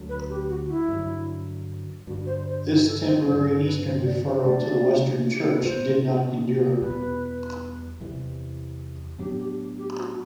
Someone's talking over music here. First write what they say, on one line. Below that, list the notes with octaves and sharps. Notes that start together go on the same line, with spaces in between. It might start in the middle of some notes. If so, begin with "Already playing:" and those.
This temporary eastern deferral to the western church did not endure.
Already playing: D2 D3 F#3 A3
B4
G4
F#4
E4
G2 D3 F#3
G2 D3 G3 F#4
C5
C5
B4
A4
C5
G2 D3 F#3 C4 C5
A4
B4
C5
D5
C5
B2 A3 D4 D5
G4
A4
B4
A2 G3 B3 C5
E2 B2 G3 B3 B4
E2 C3 E3 G3
A2 F#3 B3 D4 G4
G4
G4
F#4